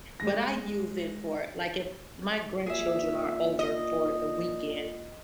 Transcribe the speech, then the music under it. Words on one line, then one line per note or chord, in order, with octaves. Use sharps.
but I use it for, like, if my grandchildren are over for the weekend
G#3 A#6
A#2 G#4 E5
D#5